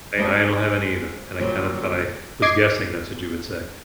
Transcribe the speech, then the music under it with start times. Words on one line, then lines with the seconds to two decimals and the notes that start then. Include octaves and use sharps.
I I don't have any either and I kind of thought I was guessing that's what you would say.
0.18 G3 G#3 C4 D4 G#4
1.40 A#2 D3 F#3 G3 C4
2.42 D#5 D6 G#6 C7